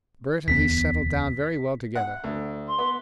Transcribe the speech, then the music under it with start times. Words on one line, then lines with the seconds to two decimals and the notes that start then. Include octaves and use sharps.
Bert and he settled down very well together.
0.48 D1 E2 B3 B6
1.95 F#5
2.24 D2
2.67 C6
2.78 B3